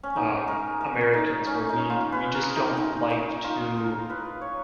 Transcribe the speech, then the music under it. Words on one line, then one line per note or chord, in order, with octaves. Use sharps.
um, Americans where we we just don't like to
C#4
D#4
A#4
A#4
D#4
C#4
D#4
F4
B4
A#4
D#4
D#4
D#4
F4
A#4
B4
C#5